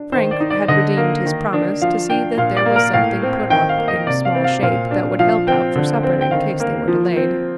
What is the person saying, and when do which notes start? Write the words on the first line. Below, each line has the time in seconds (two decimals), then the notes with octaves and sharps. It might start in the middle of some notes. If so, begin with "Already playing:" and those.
Frank had redeemed his promise to see that there was something put up in small shape that would help out for supper, in case they were delayed.
Already playing: D4
0.12 D#3 C5
0.31 D5
0.40 D#4
0.50 D5
0.68 D3 D#5
0.97 A#3
1.26 D#3
1.53 D4
1.82 F3 F5
2.10 D4 G5
2.37 A#2 F5
2.57 D5
2.66 A#3
2.76 A#4
2.93 A2 F5
3.22 C4
3.50 D#3 G5
3.69 F5
3.78 A#3
3.88 D#5
4.07 C3 D5
4.25 F5
4.35 C4
4.44 F5
4.62 A#2 F5
4.91 D4
5.19 F3 F5
5.47 C4 G5
5.75 D3
6.03 C4
6.21 G5
6.31 D#3 F5
6.60 A#3
6.88 F3
7.16 C4